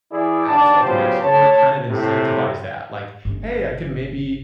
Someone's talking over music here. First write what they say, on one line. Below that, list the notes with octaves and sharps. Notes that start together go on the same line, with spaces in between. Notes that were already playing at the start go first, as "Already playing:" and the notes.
apps like Nextdoor kinda incentivize that. Like, "Hey, I could maybe"
E3 E4 G#4 D5
D#2 D4 D5 G5 A5
C#3 F#3 B3 F4 G4 C5
C#5 A5
A2 C3
G1 C#4